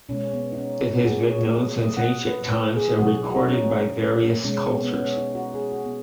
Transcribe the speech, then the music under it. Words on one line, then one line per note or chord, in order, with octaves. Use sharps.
It has been known since ancient times and recorded by various cultures.
B2 G#3 C#4
B3
D#4
C#4
D#4
F#4
G#4
C#5
B2 F#3 D#5
D#5
F#5
D#5
B4
G#4
B2 F#3 F#4
D#4
F#4
D#4
C#4
B2 G#3 C#4
B3
B3
C#4
D#4
F#4
G#4
F#4
B3